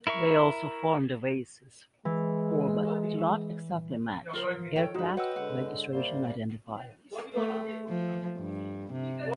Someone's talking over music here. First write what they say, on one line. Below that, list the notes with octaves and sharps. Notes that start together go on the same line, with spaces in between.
They also form the basis for, but do not exactly match, aircraft registration identifiers.
E4 A#4 E5 C#6
E3 G#3
F3 F4 A#4 C5
D#3 A4 C#5 G5
F#2 D3 G#3 D#4 F#4 B4
B4 C#5 D#5 F#5 G5 E6
D3 G#3 F#5
C3 G3 A#3 C5
A3
F3
G2
C3